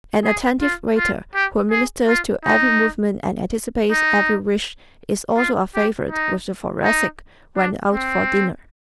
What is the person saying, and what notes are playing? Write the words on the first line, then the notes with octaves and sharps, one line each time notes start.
An attentive waiter who ministers to every movement and anticipates every wish is also a favorite with the Thoracic when out for dinner.
G#4
F4
F4
G4
G#4
F4
D#4
D#4
F4
G4
D#4
D#4
D4
C4